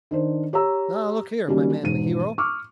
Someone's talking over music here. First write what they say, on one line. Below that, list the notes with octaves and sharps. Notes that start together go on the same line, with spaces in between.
Now, look here, my manly hero.
D#3 D4 C5
G4 C#5 A#5 E6
D#3 F#3 G3 A#3 C#4
E1 G#2 D#7
C#6 D6 E6 F6